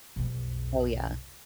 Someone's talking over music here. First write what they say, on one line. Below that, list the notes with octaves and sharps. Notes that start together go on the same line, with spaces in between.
Oh yeah.
B1 F2